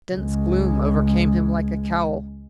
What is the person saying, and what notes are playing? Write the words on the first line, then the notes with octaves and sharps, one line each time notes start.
Dense gloom overcame him like a cowl.
C#2 G#3